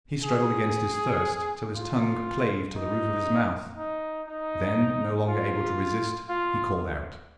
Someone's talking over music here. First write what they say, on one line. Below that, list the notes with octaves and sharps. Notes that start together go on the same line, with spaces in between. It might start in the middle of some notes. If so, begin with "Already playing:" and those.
He struggled against his thirst till his tongue clave to the roof of his mouth; then, no longer able to resist, he called out.
G#4
F4
D#4
D#4
D#4
F4
F4